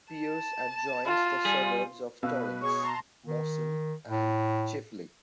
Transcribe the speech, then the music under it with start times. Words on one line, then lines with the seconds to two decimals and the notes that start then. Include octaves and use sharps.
Pearce adjoins the suburbs of Torrens, Mawson and Chifley.
0.13 A5
1.06 F4
1.45 G3 G#4
2.23 B2 B4 F5 E6
2.62 G#4 C#5 C#6
2.83 A5 A#5 C6
3.26 D#3
4.08 A2